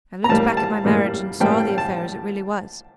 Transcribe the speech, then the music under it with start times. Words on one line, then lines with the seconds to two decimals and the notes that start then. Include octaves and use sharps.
I looked back at my marriage and saw the affair as it really was.
0.24 A#5
0.29 A2 G3 A#3 A5
0.57 A5
0.85 A2 G3 A#3
1.40 A2 G3 A#3 G5
1.58 G5
1.78 A5